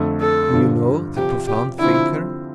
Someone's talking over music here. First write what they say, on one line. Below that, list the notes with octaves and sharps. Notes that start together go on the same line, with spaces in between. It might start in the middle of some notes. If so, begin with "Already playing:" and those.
Do you know that profound thinker?
Already playing: F2 D3 A3
A4
G2 D3 F3
C3 F3 C4 G4
G4
D3 F3 C4 E4